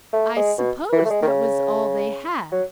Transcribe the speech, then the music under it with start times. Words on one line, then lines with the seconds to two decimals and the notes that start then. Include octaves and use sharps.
"I suppose that was all they had."
0.13 A3
0.36 G#3
0.58 B2
0.93 E3
1.05 A3
1.10 G#3
1.23 D#3
1.27 C#3
2.52 F#3